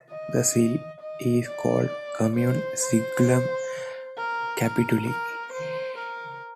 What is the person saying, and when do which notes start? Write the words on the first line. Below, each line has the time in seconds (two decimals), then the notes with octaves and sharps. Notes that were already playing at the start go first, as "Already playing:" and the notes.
The seal is called "commune sigillum capituli".
0.10 D#5
1.00 D#5
1.46 D5
2.36 C5
2.82 C5
4.17 A#4
4.63 A#4
5.08 A#4
5.53 C5
5.98 A#4